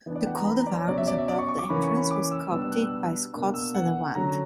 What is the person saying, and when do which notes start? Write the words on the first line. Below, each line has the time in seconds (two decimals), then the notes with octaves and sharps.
The coat of arms above the entrance was sculpted by Scott Sutherland.
0.06 E3 B3 D4
0.15 D5
0.22 G5
0.26 F#5
0.36 A#5
0.47 B5
0.56 A#5
0.66 D5
0.77 C#5
0.87 B2 F#3 C#4 D5
0.98 E5
1.08 D5
1.18 E5
1.28 D5
1.38 C#6
1.49 C#6
1.59 D6
1.69 E3 A#3 C#4 B5
1.83 C#6
1.97 B5
2.11 D6
2.31 E6
2.51 B2 G3 B3 D4 E6
2.62 E6
2.72 F#6
2.82 E6
2.92 E6
3.33 B2 A#3 D4
3.54 E6
3.74 F#5
4.15 D3 F#3 C#4 A#5